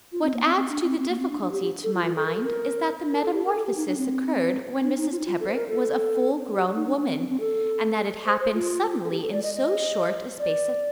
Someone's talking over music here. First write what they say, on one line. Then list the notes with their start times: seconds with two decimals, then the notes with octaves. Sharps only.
What adds to the difficulty to my mind is that the metamorphosis occurred when Mrs. Tebrick was a full-grown woman, and that it happened suddenly in so short a space of time.
0.12 F4
0.23 C4
0.34 A#3
0.45 C4
0.55 C4
0.70 D4
0.84 C4
0.98 C4
1.09 A#3
1.19 C4
1.30 D4
1.41 D4
1.51 G4
1.62 G4
1.84 A4
1.94 F4
2.05 F4
2.16 A4
2.27 A#4
2.35 A4
2.44 A#4
3.12 A#4
3.23 A4
3.33 G4
3.44 A#4
3.55 A4
3.66 G4
3.76 D#4
3.87 D4
3.98 C4
4.83 D4
4.97 D#4
5.12 F4
5.19 D#4
5.26 F4
5.40 A4
5.48 C5
5.54 A#4
5.69 A4
6.55 G4
6.75 D#4
6.86 D4
6.97 D4
7.08 C4
7.19 C4
7.29 C4
7.40 A4
8.26 C5
8.40 C5
8.54 F4
9.05 A4
9.11 G4
9.22 A4
9.32 D5
9.43 D#5
9.54 D#5
10.39 D5